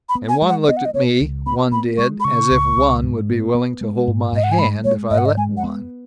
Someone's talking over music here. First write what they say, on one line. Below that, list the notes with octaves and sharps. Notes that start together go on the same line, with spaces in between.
And one looked at me, one did, as if one would be willing to hold my hand, if I let one.
B5
B3
G#5
G#3
F#5
B3 D#5
F#5
D#5
B3 C#5
C#2
B3 B5
B3 B5
G#3 C#6
B5
C#3 C#6
C#2
C#2
G#2
B3
B3
G#3
G#2
G#2 D#5
F#5
G#5
G#3 B5
G#3 C#5
G#2 D#5
F#5
D#5
G#3 G#5
F#5
B3